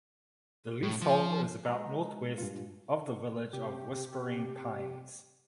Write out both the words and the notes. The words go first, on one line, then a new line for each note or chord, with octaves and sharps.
The leasehold is about northwest of the village of Whispering Pines.
A2
F3
G#3 F#4 B4 D#5 A#5
G2 A#2 F4
C3 G4